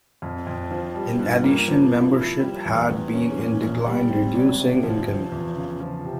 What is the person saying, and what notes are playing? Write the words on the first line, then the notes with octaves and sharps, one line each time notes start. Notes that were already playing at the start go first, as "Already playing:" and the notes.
In addition, membership had been in decline, reducing income.
F2
F2
F3
G3
G2
A#3
F3
E4
E4
G3
E2
E2
C#4
A#2
A#1
G3
C4
G#1
C3
F3
F3
E2
C#3
F3
C3